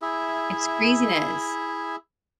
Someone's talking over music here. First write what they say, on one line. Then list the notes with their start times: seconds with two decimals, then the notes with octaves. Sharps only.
It's craziness.
0.02 E4 G#4 E5